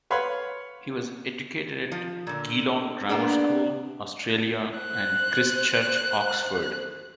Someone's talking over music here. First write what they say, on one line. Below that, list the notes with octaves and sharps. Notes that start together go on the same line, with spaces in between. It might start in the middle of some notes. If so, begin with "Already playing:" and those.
He was educated at Geelong Grammar School, Australia and Christ Church, Oxford.
B4 C#5 F5 F#5 B5 C6
F3
A#2 D3
A#3 B3 D4 G#4
C5 F#6